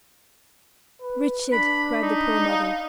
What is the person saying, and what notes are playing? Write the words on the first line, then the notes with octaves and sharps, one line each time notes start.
"Richard!" cried the poor mother.
B4
D4 B5
D#4
F5